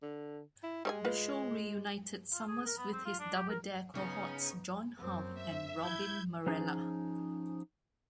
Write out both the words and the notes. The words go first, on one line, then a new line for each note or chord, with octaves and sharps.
The show reunited Summers with his "Double Dare" cohorts John Harvey and Robin Marrella.
D3
E4
G3 G#3 C#5 G#5
F4 B4
F4
G#4
A#4
B3
C4
F4
D4
G4
A#4
C#3 B3 C#4 D#4
F#2 C4
E5
E4 G6 G#6
F3 C#4 D#4 G#4